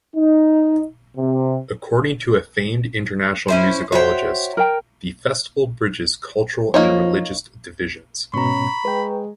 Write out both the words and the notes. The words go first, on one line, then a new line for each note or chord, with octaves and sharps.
According to a famed international musicologist, the Festival bridges cultural and religious divisions.
D#4
C3
C#4 E4 C5
F#4 C5 C#5 E5 G5
A#4 G5
F3 A#3 D#4 C#5
G#2 B2 C#4 A#5 B5 C#6
G#3 B4 G5